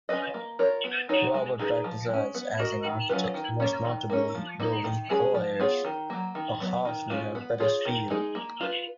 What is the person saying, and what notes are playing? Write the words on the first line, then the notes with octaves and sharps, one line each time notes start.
Robert practised as an architect, most notably building Collyers, a house near Petersfield.
C#4 F4 B4 D#5
A#3
F4 A#4 C#5
B3
D#4 F#4 C#5
G#3
D#4 G#4 B4
F3
G#3 C#4
B3
F#4 A#4 D#5
D#3
F#3 C#4 F4 B4
D#3
A#3 C#4
D#3
A#3 C#4
F3
A#3 D#4
D#3
G#3 C#4 G#4
F3
B3 F4 G#4 C#5
D#3
F#3 A#3
D#3
F#3 B3
D#3
G#3 C#4 F4
B3
F4 G#4 C#5
D#3
G#3 D#4 G#4
A#3
F4 B4